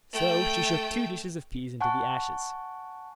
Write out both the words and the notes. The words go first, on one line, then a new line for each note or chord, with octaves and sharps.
So she shook two dishes of peas into the ashes.
A3 G5
F#5 G#5 A5 C#6 F#6